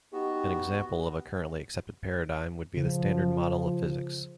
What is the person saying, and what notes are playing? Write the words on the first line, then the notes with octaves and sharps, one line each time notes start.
An example of a currently accepted paradigm would be the standard model of physics.
B3 D#4 F#4 G4
C#3 F3